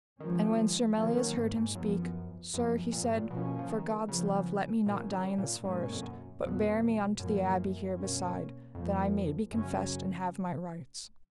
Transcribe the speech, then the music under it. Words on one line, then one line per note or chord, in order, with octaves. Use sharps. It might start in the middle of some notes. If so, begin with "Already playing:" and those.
And when Sir Melias heard him speak: Sir, he said, for God's love let me not die in this forest, but bear me unto the abbey here beside, that I may be confessed and have my rights.
D#3 F3 G#3 C#4
D#3 F3 A#3 C#4
F#3
G#2
G#2
F#2 F3 B3
F#2 F3 B3
A#2
G#2
A#2
B2 F3 A#3 C#4
F3
D#3
C#3 F3 B3
A#2 D#3 F#3 C#4
C#3
A#2
G#2 B2 A#3 C#4
F2
F#2
F2 B2 F#3 B3
F#2 A#2 F3 A#3
B2 A#3 C#4
F2 C#3 F3 A#3
F#2 C#3 F#3 C#4